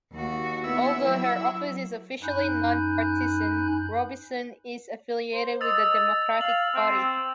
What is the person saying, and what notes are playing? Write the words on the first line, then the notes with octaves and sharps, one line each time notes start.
Although her office is officially non-partisan, Robison is affiliated with the Democratic Party.
D#2 F#4
B3 E4
F#3
F#2 D#4 G#5 B5 F#6 G6
C5
D#5 E6 A6 F7
F5 F#7
C4